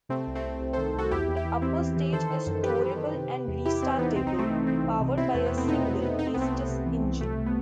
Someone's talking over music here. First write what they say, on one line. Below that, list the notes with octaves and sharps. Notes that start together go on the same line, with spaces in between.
The upper stage is storable and restartable, powered by a single Aestus engine.
C3 A3 C4
C2
A3 C4
C2
C2
D#3 A4 C5
C2 F#4 A4
E2 E4 G4
E2
E4 G4
E3
E2 C4 E4
E2
E3
D#3 A4 C5
D#3
F#2
D#3 G4 B4
D#3
D#3
C3
C3
E2
E2 E4 G4
E2 C4 E4
C4
E3 B3 D#4
C2 C4
D#4
E3
A3 C4
E3
E3 A3 C4
C2
C3
B2 C4 E4
E2 A3
B3
E2
C4
B2 B3 D#4
E2 B3
E2 B3
C3 D#4
C4
C2 B3
A3 C4
C2
C3
E3
C2
C3 A3
C3
B3